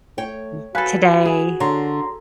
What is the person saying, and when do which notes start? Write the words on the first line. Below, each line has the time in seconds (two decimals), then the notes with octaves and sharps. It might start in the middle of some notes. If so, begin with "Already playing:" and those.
Hmm, today
0.18 A3 C#5 G5
0.75 F#4 A4 B4 F5 G#5 B5
1.25 G#4
1.60 D3 C#5 A#5 C6